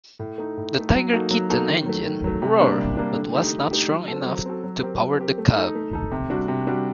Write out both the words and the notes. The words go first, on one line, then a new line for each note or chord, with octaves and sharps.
The "Tiger Kitten" engine roared but was not strong enough to power the Cub.
A2
A3 D#4
A2
A3 D#4
F#3
A#3 D#4 F#4 A4
F#3
A#3 D#4 F#4 A4
D#3
F#3 A3
D#3
F#3 A3
C3
G3 A#3 D4
C3
G3 A#3 D4
D3
A3 D#4 G4
D3
A3 D#4 G4
F#3
C4 F#4 A4
F#3
C4 F#4 A4
F#3
C4 G4 A#4
F#3
C4 G4 A#4
A3
D#4 A4
A3
D#4 A4
C3
G3 D4 F#4
C3
G3 D4 F#4